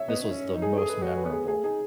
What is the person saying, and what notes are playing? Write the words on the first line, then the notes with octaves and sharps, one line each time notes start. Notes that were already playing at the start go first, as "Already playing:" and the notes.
this was the most memorable."
Already playing: C#5 E5
B3 D#5
D#4
C#4
D#4
G#4
G#4 A4
B4
F#4 C#5
B4
B3
G#4
A3 G#4
D#4 G#4